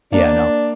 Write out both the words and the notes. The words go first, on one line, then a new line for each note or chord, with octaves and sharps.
Yeah, no.
A#3 D4